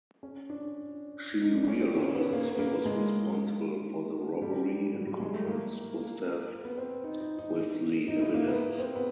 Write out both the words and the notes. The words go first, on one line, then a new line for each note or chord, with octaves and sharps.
She realizes he was responsible for the robbery and confronts Gustav with the evidence.
C#4
D4
D#4
D4
C#4
C4
C#4
B3
A#3
B3
A#3
G#3
G3
F#3
G3
G#3
A3
A#3
A#3
B3
C4
D#4
D#4
D#4
D#4
E4
A#3
B3
C4
B3